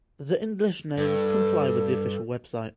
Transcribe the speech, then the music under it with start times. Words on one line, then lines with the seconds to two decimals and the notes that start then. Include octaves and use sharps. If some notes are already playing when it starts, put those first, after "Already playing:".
The English names comply with the official website.
0.97 G2 A4